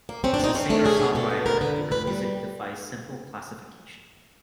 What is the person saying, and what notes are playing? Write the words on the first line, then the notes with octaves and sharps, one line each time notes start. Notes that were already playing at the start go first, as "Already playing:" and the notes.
As a singer-songwriter, her music defies simple classification.
A#3
C4 C#4
D4
C4 D#4
C4 C#4
A3 D4
C#4 G#4
B2 G#4
B2 A4
B3
D3 A#4
D3 B4
F2
F2 B4
G3